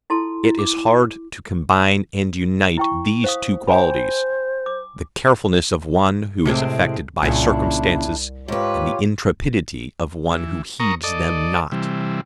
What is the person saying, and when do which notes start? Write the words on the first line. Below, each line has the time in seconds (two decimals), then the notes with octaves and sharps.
It is hard to combine and unite these two qualities, the carefulness of one who is affected by circumstances, and the intrepidity of one who heeds them not.
0.10 E4 F4 A4 A5 C6
0.44 E4
0.59 D6
2.78 E4 G5 C#6
3.24 C5 F5 D#6
3.67 C5 G5 G#5 B5
4.66 D6
6.45 A2 C3 G#3 C4
7.23 C2 A#2 C#3 D4 E4
8.48 G#2 F4 G4 B4 C#5
10.31 E3
10.80 A#4 A#5 C#6 D#6
11.03 A4 D5 D#5
11.72 C3 E3 G3